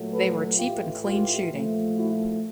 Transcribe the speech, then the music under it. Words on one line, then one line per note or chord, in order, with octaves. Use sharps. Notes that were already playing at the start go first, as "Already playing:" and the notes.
They were cheap and clean shooting.
Already playing: A#2 F#3 A3
A4 B4
A2 E3 A3 F4 G4
F4 G4
A#2 F3 A3
E4 F#4